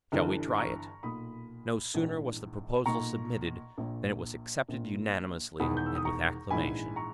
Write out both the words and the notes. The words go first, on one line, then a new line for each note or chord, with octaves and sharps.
"Shall we try it?" No sooner was the proposal submitted than it was accepted unanimously and with acclamation.
G1 G2 E3
A#5 C#6
B1 A#2 B5 D#6
A#1 G#2 E3
B1 A#2 A#5 C#6
A#1 A#2
A#1 A#2
E1 E2 D#3 B5 D#6
G6
E6
D#6
A#5 C#6
A#1 G#2 E3 G#5 B5
A#5 C#6